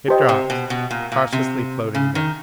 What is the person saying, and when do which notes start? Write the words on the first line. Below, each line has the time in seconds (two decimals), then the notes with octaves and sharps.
It dropped, cautiously floating down.
0.08 G4 C5 D#5
0.29 C3
0.50 B2
0.70 B2
0.91 A#2
1.12 A#2
1.32 C3
1.95 C#3
2.15 D#3